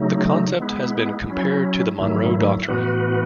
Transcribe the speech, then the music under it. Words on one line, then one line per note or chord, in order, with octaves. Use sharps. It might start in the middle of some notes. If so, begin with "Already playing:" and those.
The concept has been compared to the Monroe Doctrine.
Already playing: C#3 F#3 A3 D#4
G#3 B3 E4
F#3 C#4 E4
G#2 D#3 F#3 A3 E4
A2 E3 B3 F#4 B4